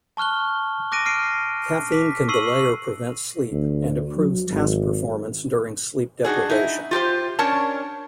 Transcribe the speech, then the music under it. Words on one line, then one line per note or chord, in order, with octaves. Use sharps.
Caffeine can delay or prevent sleep, and improves task performance during sleep deprivation.
A5 C#6 F6 F#6 G7
D6 F#6 A#6 D7 D#7
F6 C7 D7 D#7
D6 B6
C#6 E6 C7 D#7 F#7
D2
F#3
G#1
D4 D#4 F#4 G#4
D#4 E4
F4 G4 A#4 C5
C#4 D4 A#4 C#5 A5